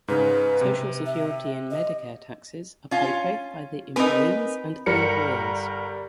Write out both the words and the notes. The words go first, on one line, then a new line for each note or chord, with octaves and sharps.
Social Security and Medicare taxes are paid both by the employees and the employers.
G#2 C#3 B4
C3
E5
D#5
C#4 F4
C4 D#4 A#4 B4 G#5
G1 G3 A#4 C#7